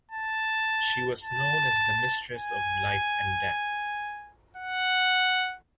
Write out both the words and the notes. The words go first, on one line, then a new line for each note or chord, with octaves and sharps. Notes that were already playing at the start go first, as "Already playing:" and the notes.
She was known as the "mistress of life and death".
A5
A5
G#5
F#5